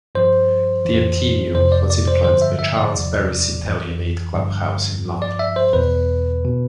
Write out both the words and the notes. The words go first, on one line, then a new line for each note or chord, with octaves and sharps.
The Athenaeum was influenced by Charles Barry's Italianate club house in London.
G2 F3 C5
F2 E3
F2 C3 F3 C5
D5
D5
C5
G2 D3 F3 C5
E5
E5
D5
E2 C3 F3
F2 E3
G2 D3 F3
G2 F3
D5
E5
C5
E2 B2 B4
B2